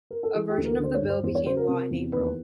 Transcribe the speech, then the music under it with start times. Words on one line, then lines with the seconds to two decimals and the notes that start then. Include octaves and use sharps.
A version of the bill became law in April.
0.11 A#4
0.23 A4
0.35 E3 G#4
0.49 G4
0.58 D2
0.65 A#4
0.80 D3 C5
0.94 C#5
1.02 G2
1.09 C5
1.23 E2 C5
1.35 C#5
1.46 C#3 C5
1.57 A#4
1.68 C3 A#4
1.91 E2
2.12 D#2 B4